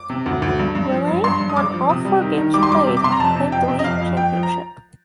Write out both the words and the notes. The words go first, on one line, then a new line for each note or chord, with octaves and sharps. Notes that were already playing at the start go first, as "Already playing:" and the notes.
Raleigh won all four games played and claimed the league championship.
Already playing: D6
C3
D2
D2
G2
G2
F3
G2
G2 C6
G2
D#6
G2 D6
F3
C3 D#6
G3
D#3
D#3
G3 D6
C6
G3 D6
C3
D6
C3 C6
A#5
F2 A5
C3
F2 G5
C3
D#5
F2 F5
F2
F2 G5
F3
A#5